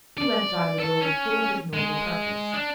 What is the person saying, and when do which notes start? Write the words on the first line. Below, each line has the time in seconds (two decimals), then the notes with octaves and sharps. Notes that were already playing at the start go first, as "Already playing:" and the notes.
He went down the road full of his noble purpose.
0.18 D5
0.80 A4
1.01 C#4
1.73 G#3
2.54 D4